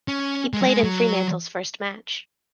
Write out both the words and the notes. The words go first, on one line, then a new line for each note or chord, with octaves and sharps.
He played in Fremantle's first match.
C#4
G#3
F#3
G#3
F#3